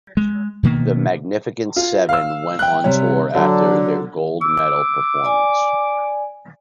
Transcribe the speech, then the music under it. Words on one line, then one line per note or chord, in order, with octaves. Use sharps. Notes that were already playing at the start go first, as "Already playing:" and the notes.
The Magnificent Seven went on tour after their gold medal performance.
G#3
B2 D#3 A#3 B3
F4
F5 E6
G5 F#6
C3 G3 C#5
D3 F#3
D6 E6
D5 G#5